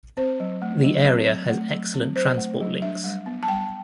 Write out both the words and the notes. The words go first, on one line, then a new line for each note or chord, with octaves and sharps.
The area has excellent transport links.
C4 C5
F#3
A3
F#3
C4
F#3
A3
F#3
C4
F#3 C5
A3
F#3
D4 E5
G3
B3
A5
G3 G5